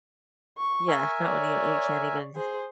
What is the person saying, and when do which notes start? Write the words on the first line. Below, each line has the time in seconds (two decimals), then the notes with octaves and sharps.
yeah, not when you you can't even
0.57 C#6
0.88 A#4 E5 G#5
1.21 C#5 D5
2.36 G#4 C5